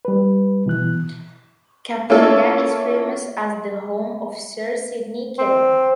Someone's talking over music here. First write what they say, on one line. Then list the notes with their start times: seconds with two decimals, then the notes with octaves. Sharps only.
Kapunda is famous as the home of Sir Sidney Kidman.
0.05 G3 B4
0.66 B2 E3 F#6
2.10 A#3 C#4 E4 F4 A4
5.38 C4